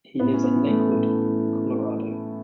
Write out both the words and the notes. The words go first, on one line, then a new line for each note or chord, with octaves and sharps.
He lives in Lakewood, Colorado.
A2 B3
C#4
B3
E3
A3
A2